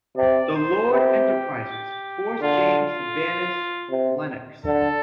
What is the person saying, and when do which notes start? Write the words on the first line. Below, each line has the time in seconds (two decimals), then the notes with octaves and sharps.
The Lord Enterprisers forced James to banish Lennox.
0.17 C3 D5
0.55 C5
0.92 C3 G4
2.41 D3 F4
2.79 F4
3.91 C3
4.65 D3 A4